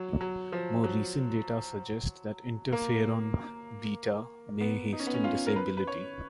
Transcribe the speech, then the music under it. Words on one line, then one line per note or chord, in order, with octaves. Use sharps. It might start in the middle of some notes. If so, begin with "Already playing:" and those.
More recent data suggest that interferon betas may hasten disability.
Already playing: F#3
F#3
F3
F#3
A#3
B3
D#4
C#4
B3
C#4
F4
A#4
B4
B4
C#5